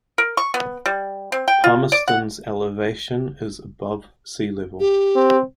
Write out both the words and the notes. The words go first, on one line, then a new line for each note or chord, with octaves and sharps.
Palmerton's elevation is above sea level.
A#4
C#6
B3
G3
C4
G5
F4
D5
F#5
G4
C4